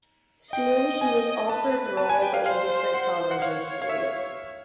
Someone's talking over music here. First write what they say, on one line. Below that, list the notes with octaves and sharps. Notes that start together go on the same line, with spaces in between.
Soon he was offered role in different television series.
D#5 G5
G#5
B4 A5
A5
G#5
G5
F5
C5 F5
F#5
F#5
C#5 F5
F5
E5